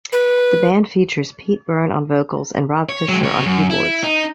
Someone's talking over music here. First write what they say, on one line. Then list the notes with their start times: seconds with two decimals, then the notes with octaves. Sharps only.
The band features Pete Byrne on vocals and Rob Fisher on keyboards.
0.12 B4
2.89 C#5
3.09 F#3 G#3
3.23 D2 C#5
3.46 F#2
3.70 E4
4.04 D#4